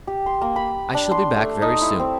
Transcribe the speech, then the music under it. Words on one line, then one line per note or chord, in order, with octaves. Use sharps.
I shall be back very soon.'
G4
C6
A#3
B5
D4
C6
A3
D#4
E4
C4